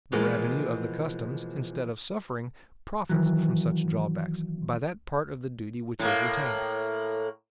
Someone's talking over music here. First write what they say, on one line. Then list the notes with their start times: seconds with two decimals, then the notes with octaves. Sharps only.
The revenue of the customs, instead of suffering, profits from such drawbacks, by that part of the duty which is retained.
0.12 B2 E3 F3 G#3 A#3
3.09 D#3 E3 F#3
5.99 A2 A#3